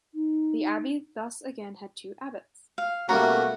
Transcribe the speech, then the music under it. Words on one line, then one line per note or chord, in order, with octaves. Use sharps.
The abbey thus again had two abbots.
D#4
F5
B2 G3 A3 A#3 C#4 F#4 A#5